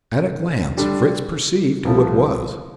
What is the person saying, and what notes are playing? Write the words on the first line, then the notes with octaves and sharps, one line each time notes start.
At a glance Fritz perceived who it was.
D3 G3 D4
C2 C3 F3 A3 E4